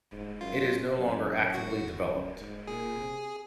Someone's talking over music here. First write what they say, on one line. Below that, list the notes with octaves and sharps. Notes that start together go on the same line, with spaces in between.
It is no longer actively developed.
G#2
F#2 F4
F#2
F#4
F#2
G#2
A#2 G#4
C3